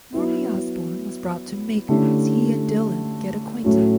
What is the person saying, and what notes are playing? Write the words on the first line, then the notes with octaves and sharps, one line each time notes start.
Normie Osborn was brought to Maker as he and Dylan get acquainted.
F#3 B3 E4
D3 A3 C#4 E4 G4
A2 F#3 A3 C#4 F#4